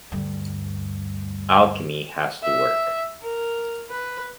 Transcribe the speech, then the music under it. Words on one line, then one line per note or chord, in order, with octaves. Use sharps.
Alchemy has to work.
D2 G2
E5
A#4
B4